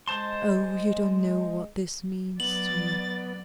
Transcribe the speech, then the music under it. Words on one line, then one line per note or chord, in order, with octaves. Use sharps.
"Oh, you don't know what this means to me."
G#3 C5 A5 C6
F#3 B3 D5 A6 F#7